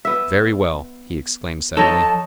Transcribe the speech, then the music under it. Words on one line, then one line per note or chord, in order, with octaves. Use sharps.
"Very well!" he exclaimed suddenly.
B3 E5
F2 F3 D#4 A4 C#5 D#5 A5